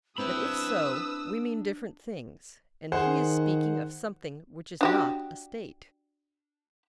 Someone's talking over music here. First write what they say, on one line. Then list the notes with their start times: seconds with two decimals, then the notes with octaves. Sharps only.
But, if so, we mean different things, and he is speaking of something which is not a State.
0.18 C4 D4 E4 B4 B5 D#6 E6
2.92 D#3 G#4 C5 F#5
4.81 D4 F#4 G4